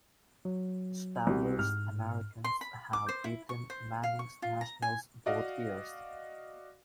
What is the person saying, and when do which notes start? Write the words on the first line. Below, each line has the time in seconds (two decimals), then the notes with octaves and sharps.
Stabler's Americans have beaten Manning's Nationals both years.
0.45 F#3
1.27 C2 C4 F#4
1.59 G#2 F6
2.44 C6
2.61 B5
2.93 D6
3.09 C5
3.24 E4
3.49 C#6
3.70 C5
4.03 F5
4.19 C#6
4.42 F4
4.61 A#5
4.82 G#5
5.26 F#4 D5 D#5 F5